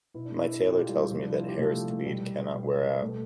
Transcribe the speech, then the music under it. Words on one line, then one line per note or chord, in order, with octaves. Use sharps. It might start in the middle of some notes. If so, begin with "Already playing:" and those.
My tailor tells me that Harris tweed cannot wear out.
B2 E4
D4
E4
B2 A4
G4
F4
G3 G4
C3 F3
D4
E4
F4
G4
C3 F3 A3 A4
G4
A3 A4
B2 G3 G4
B2
B4
B2 A3 A4